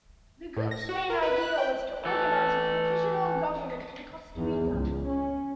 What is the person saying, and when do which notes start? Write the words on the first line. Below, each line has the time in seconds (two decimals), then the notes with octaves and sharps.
The group's main idea was to organize a provisional government in Costa Rica.
0.57 A2
0.71 A#6
0.89 F#4
1.10 A#4
1.22 B4
1.41 F#6
1.58 G5
2.05 E3 A4
4.38 E2
4.72 C#2
5.08 C#4